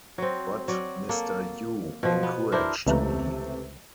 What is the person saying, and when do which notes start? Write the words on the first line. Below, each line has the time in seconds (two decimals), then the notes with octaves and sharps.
But Mr. Yu encouraged me.
0.18 F#3 C4
0.68 F#3 D5
1.09 A#3 A4
2.03 B2 F3
2.23 B3
2.52 D4 E4 A#4 C5
2.86 C#2 C3 E3 A3 A#5